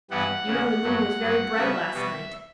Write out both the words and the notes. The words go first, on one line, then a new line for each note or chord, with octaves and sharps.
You know the moon was very bright last night.
G2 E3 G3 B3 F#5
E2 C#3 E3
G2 F#3 A3
G2 F#3 B3
C#3 G3 B3 E5
B2 G3 B3